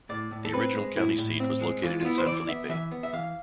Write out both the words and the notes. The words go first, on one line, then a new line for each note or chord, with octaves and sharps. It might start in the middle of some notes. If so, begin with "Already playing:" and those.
The original county seat was located in San Felipe.
A2 D5
A2
A4
C4 B4
G#3
A2 E4
A2
C4
G#3
E3 F4
F4
B3 E4
C5
E3 D5
B3 E5
E3 E5
B3
E5
E3 F5